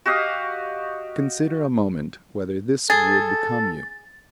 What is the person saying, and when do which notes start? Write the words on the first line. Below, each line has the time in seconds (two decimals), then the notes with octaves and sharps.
Consider a moment whether this would become you.
0.06 F#4 G4 D#5 F5
2.90 G#4 A4 A6